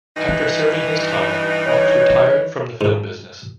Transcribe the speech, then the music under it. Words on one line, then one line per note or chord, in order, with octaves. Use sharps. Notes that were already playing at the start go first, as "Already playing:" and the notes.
After serving his time, Fox retired from the film business.
G2 E3 D#4
C#5
G#2